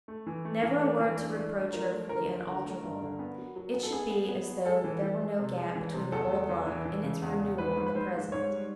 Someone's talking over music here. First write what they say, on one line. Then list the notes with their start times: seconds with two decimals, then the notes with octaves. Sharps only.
Never a word to reproach her for the unalterable; it should be as though there were no gap between the old love and its renewal in the present.
0.08 A3
0.27 E3
0.45 A3
0.63 E3
0.81 A3
0.99 E3
1.18 D4
1.37 A3
1.55 D4
1.73 F3 A#4
1.91 A3
2.09 D3 A#4
2.28 F3
2.46 D3
2.64 A3
2.83 G2
3.01 D3
3.19 B3
3.38 F#3
3.56 F#3
3.74 B3
3.83 A4
3.92 B3 G#4
4.11 B3
4.29 B3
4.47 F#3
4.65 G#3 A4
4.84 E3
5.02 E3
5.21 G#3
5.39 C3
5.58 G#3
5.75 E3
5.93 C3
6.12 E2 A4
6.30 E2
6.49 E2
6.67 E3
6.85 E3
7.03 C#3
7.22 E2
7.40 E2
7.58 G#2 B4
7.76 G#2
7.86 B4
7.95 G#2 C5
8.13 G#2
8.32 G#2 C#5
8.50 G3